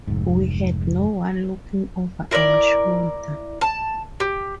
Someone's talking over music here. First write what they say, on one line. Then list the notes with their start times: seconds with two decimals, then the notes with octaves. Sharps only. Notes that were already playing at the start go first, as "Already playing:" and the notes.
We had no one looking over our shoulder.
0.07 F1 G#2
2.31 E4 A#4 C#5 D5
3.61 A5
4.20 G4